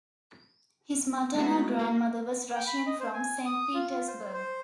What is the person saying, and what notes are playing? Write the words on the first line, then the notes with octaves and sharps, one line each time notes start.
His maternal grandmother was Russian from Saint Petersburg.
G#3 A3 B3 E4 F#4
A#3
G5
B5
D#5
C5
G#5
D#6
F4
F4
C5
C5